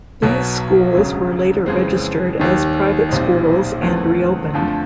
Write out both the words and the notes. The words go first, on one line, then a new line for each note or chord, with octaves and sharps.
These schools were later registered as private schools and reopened.
B1 B2 F#3
E1 D2 C#3 F#3
F2 C#3 E3 G#3 C4
D#2 D#3 G3
B1 A#2 G3 C4 D#4
E2 C#3 E3 A3 C4
F2 D3 F3 A3